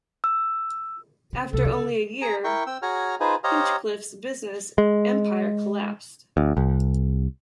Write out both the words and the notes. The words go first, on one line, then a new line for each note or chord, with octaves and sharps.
After only a year, Hinchliffe's business empire collapsed.
E6
C#3
C2 A4
C#3
G#4 A#5
E4 A#4 G5 C#6
C4 G5 E6
F#4 G#4 C#5 A#5 F6
D#4 F4 G#4 B4 C5
G4 C5 C#5 D#5 F5 A#5
G#3
D2
C2